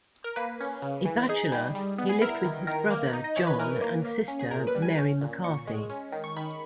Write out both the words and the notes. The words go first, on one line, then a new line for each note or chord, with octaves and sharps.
A bachelor, he lived with his brother, John, and sister, Mary McCarthy.
A#4
A#3 B4
C#4
C#3
E3
D#4 G#4
G3
G3
B3
G#4
E4 A#4
D#3
D#3 A#4
A#3
D#4
D#5
E3 C#5
B4
E3 A#4
A#3
A#3
C#4
G#4
A#2 A#4
B4
G3
G#5
C#4
A#2
A#2 C#6
G#3
C#4
D#3
C#6
D#3 B5